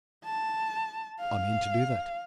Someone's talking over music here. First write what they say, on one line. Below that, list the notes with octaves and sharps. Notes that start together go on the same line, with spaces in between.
'I mean to do that.
A5
F5